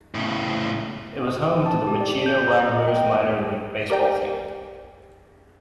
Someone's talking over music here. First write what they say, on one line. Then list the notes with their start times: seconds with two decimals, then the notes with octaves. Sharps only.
It was home to the Wichita Wranglers minor league baseball team.
0.15 A2 C#3
1.66 A5
1.87 G4
2.00 D5
2.26 G6
2.48 A#5
2.66 D#5
2.88 G5
3.90 G4 A#4 D5 G5